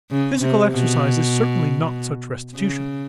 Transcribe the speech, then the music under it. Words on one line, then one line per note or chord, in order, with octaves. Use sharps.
Physical exercise is certainly not such restitution.
C#3
C3
B2
C#3